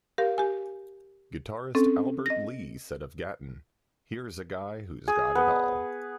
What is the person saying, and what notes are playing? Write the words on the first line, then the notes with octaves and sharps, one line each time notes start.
"Guitarist Albert Lee said of Gatton, "Here's a guy who's got it all.
G4 A#4 F5
G4 G#5
C4 C#4 A4
D#5 A#6
G#4
B3